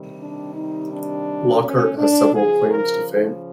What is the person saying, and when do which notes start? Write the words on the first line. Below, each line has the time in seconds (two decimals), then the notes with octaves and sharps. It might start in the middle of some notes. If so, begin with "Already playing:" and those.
Lockhart has several claims to fame.
Already playing: C3 D#3 G3
0.19 D4
0.54 D#4
0.91 D4
1.62 C#4
1.98 D4
2.34 C#3 F3 G#4
2.70 A#4